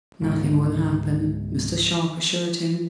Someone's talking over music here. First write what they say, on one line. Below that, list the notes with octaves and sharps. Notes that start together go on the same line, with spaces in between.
"Nothing will happen," Mr. Sharp assured him.
C#2 G#2 D3 D#3